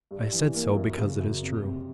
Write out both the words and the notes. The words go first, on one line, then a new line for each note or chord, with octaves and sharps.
"I said so, because it is true."
G2
E3
A#3
F#2
C#3
F#2
F2
C3